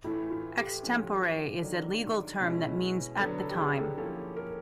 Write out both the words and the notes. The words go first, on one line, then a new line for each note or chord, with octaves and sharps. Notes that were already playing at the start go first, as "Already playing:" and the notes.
"Ex tempore" is a legal term that means 'at the time'.
A2 E3 A3 E4
F4
G4
F3 A3 C#4
D#3 F#3 A3 D4
B2 G#3 C#4 E4
D3 F#3 B3 D4 A4
A4
G4
G#4
A4
F3 A#3 C#4 E4 A4
A#4